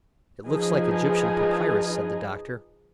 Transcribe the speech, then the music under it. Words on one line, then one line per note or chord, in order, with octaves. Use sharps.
"It looks like Egyptian papyrus," said the doctor.
F3 D#4 G#4 B4 D#5 G#5